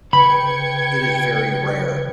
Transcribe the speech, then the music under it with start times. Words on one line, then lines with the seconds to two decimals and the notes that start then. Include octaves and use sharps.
It is very rare.
0.13 C#3 B4 G5 B5 G#6 C#7